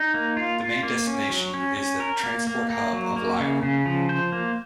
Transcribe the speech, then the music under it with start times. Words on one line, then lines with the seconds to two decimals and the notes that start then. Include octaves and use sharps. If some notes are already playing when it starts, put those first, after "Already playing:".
The main destination is the Transport hub of Lyon.
Already playing: D#4
0.14 A#3
0.37 F4
0.60 F4
0.83 A#3
1.07 C#4
1.30 F#3
1.54 C#4
1.77 C#4
2.00 A#4
2.24 A#3
2.47 A#3
2.70 A#3
2.93 F#3
3.16 A#3
3.40 C#3
3.63 C#3
3.86 F3
4.09 C5
4.32 A#3